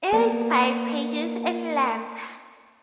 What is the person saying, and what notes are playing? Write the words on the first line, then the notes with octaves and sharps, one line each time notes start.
It is five pages in length.
A#3 B3 D5